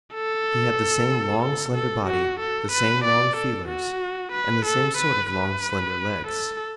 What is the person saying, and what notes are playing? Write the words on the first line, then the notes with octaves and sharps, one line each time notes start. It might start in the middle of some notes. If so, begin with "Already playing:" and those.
He had the same long, slender body, the same long feelers, and the same sort of long, slender legs.
A4
A4
A4
F#4
A4
B4
D5
A4
F#4
B4
A4
B4
B4
A4